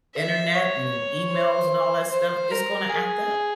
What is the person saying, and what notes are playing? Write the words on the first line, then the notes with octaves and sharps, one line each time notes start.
Internet and emails and all that stuff, it's gonna act up.
E5
C#5
C5
C5
A#4
G#4